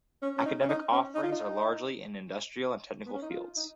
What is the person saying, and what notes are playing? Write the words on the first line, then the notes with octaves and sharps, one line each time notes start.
Academic offerings are largely in industrial and technical fields.
C#4
C#4
D#4
C#4
D#4
C#4
D#4
F4
D#4
B3
C#4
D#4
F4
D#4